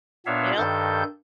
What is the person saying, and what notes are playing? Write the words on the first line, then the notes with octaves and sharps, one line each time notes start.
You know?
A#2 B3 D4 C#5 E5 F5
G2 D#3 A4 G6